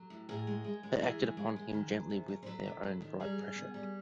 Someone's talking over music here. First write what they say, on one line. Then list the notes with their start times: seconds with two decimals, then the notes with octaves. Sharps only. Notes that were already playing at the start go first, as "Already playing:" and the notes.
They acted upon him gently with their own bright pressure.
Already playing: F#3 G4 A4
0.10 A2
0.29 A2 G#4 A#4
0.47 G#3
0.64 G#3
0.83 G#3
1.01 E3 G#4 A#4
1.19 G#3
1.37 G#3
1.56 G#3
1.74 D#3
1.92 F#3
2.10 C3
2.28 F#3
2.43 C5
2.46 F#3 A4 B4
2.66 C3
2.83 F#3
3.02 D#3
3.20 G3 G#4 A#4
3.38 G3
3.56 B3
3.74 G3